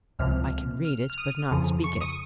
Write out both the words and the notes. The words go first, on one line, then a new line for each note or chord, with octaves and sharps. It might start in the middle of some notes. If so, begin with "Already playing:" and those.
"I can read it, but not speak it."
C#2 C3 F3 F6
F6
F6
D#6
F2 C#3 F3
C#6
D#6